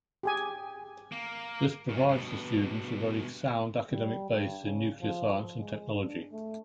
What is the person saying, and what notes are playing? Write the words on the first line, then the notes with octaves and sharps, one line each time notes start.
This provides the students a very sound academic base in nuclear science and technology.
G4 G#4 G#5
A#3
F#2 A#2
G2 B2
G3
G2
C#3
F3
G#3
D4
A3